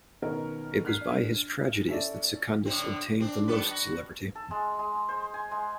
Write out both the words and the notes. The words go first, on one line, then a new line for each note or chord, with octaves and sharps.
It was by his tragedies that Secundus obtained the most celebrity.
B2 D#3 B3 C#4 A#4
F6 F#6 G#6 B6 C7 D#7
D4
C#4 E4 A4 D5
A2 D3 C4
C4 D4
F#3 A4 B4
F#4
A4
G#3
G#3
C5
G#5
G#3